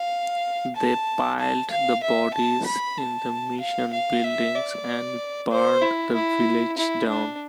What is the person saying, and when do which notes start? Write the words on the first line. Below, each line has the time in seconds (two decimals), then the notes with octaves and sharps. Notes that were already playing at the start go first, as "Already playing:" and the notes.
They piled the bodies in the mission buildings and burned the village down.
Already playing: F5
0.76 A5
1.39 A5
1.71 F5
2.03 E5
2.34 A5
2.66 B5
2.98 A5
3.61 F5
3.93 F5
4.24 E5
4.55 D5
5.50 C5
5.82 E4
6.14 E4
6.77 E4
7.09 D4